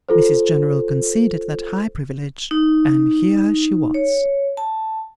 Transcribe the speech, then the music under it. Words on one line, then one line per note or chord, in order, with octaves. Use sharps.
Mrs General conceded that high privilege, and here she was.
F4 A4 C5
D#4
C#5
A5